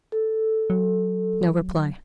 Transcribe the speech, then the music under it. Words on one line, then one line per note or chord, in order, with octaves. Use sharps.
No reply.
A4
F#3